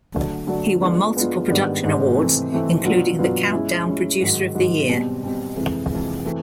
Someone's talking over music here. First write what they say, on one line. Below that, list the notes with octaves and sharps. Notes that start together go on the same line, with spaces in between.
He won multiple production awards, including the Countdown Producer of the Year.
D3 F#3 A3 D4
D3 F#3 A3 D4
G#3 B3 D4 F4
G#3 B3 D4 F4
G#2 D#3 G3 B3 D4
G#2 D#3 G3 B3 D4
C3 E3 A3 C4
C3 E3 A3 C4
B2 F#3 B3 D4 F4
B2 F#3 B3 D4 F4
G#3 C#4 E4
G#3 C#4 E4
G#2 D#3 F#3
G#2 D#3 F#3
B2 G3 C4
B2 G3 C4
F2 C3 E3 G#3
F2 C3 E3 G#3
E3 A3 C4